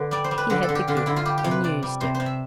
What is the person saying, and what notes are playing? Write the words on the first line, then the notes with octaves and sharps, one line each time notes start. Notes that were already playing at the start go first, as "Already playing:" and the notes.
He had the gift and used it.
Already playing: D3 A4 B4
G3 D5
C5
G3
B4
D3 B4
A4
D3
G4
D3 F4
D4
D3 E4
F4
G3 G4
G4
C3
B4
C3 D5
G3
C3 C5
C5
C3
E5